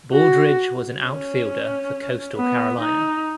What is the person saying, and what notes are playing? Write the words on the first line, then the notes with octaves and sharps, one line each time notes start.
Baldridge was an outfielder for Coastal Carolina.
F#4
C#4
B3
D#4